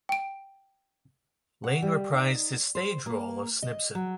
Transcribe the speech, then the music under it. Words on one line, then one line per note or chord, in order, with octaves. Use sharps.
Lane reprised his stage role of Snibson.
G5 D7
F#5
G3
D#4
C5
A#3
D#5
F#3